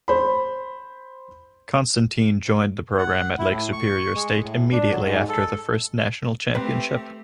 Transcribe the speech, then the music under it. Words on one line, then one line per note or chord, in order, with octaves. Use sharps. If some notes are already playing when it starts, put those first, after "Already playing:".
Constantin joined the program at Lake Superior State immediately after their first National Championship.
C5 B5
F#5
E4
A2
C#6
G#3
A2
D4
F#3
G#2
A4
A3 C4 G4 B4 B5